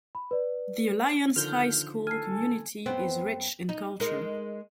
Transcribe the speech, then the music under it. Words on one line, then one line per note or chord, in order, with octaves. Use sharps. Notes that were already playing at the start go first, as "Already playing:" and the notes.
The Alliance High School community is rich in culture.
B5
B4 D5
D3 D#3 F3 F6 G6
A4 G#5 F6 C7
F#2 B3 C4
D#4
G#3 D#4 A#4